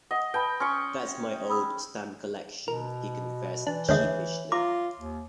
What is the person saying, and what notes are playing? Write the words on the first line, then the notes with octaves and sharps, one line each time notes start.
"That's my old stamp collection," he confessed sheepishly.
D#5 F#5
B4 G5 A5 B5
C#4 C6 C#6
B5 D#6 E6
B2 A#4
E3 D4
D#2 D3 G#3 C#5 E5
F4 A#5 D6
D#2